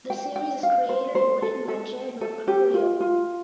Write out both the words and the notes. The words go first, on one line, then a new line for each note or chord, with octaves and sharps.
The series is created and written by Jed Mercurio.
G5
G5
F5
C5
C5
A4
A4
A4
G4
F4
F4